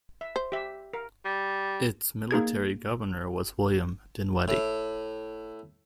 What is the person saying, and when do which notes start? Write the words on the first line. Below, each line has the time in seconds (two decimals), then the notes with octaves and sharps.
Its military governor was William Dinweddie.
0.21 E5
0.36 C5
0.52 G4 E5
0.93 A#4
1.25 G3
2.31 A#3 D#4 G#4 G#6
4.48 A2